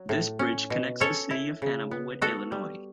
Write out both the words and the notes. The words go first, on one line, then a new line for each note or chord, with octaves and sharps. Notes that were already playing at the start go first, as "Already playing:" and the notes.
This bridge connects the city of Hannibal with Illinois.
Already playing: F#3
A2
C#4
B2
C#4 A4 C#5
E4
C#3
B3
B3 F#4 A4
G3